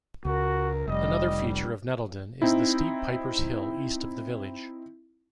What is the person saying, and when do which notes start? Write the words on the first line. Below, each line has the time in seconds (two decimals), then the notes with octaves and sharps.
Another feature of Nettleden is the steep Pipers Hill east of the village.
0.25 C#2 F#4 A#4
0.88 F1 G3 D#5
2.42 C4 D#4 E4